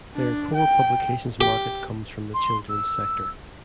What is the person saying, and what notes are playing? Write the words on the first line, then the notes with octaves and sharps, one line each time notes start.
Their core publications market comes from the children's sector.
D4
G5
G4
C6
E6